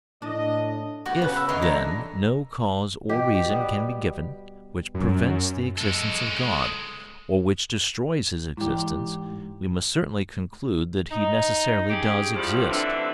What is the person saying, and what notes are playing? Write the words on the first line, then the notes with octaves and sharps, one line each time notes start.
If, then, no cause or reason can be given, which prevents the existence of God, or which destroys his existence, we must certainly conclude that he necessarily does exist.
A2 D4 D#5
B3 F#4 G4 C#6
C#3 B4 F#5 F#6
B5 E6
D#3 E3 C#5 D#5 C6
D3 A#5
B2 G4
G4
G3 B3
F#2
G#3 A4
G#2 E3 E4 G4
D#4
C#4 G4 G#4
A2 F3 G3
D3 E3 C4 D4